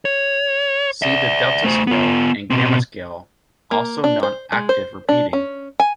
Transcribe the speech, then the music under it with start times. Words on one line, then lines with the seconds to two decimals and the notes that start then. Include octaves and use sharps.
See the Delta scale and Gamma scale, also non-octave repeating.
0.05 C#5
1.02 D5 E5
1.64 A3 C5
1.87 B3 F4
2.50 B2 C4
3.71 A#3
4.04 D4
4.23 C5
4.52 G#3
4.69 C5
5.09 D4
5.33 C#4
5.80 G#5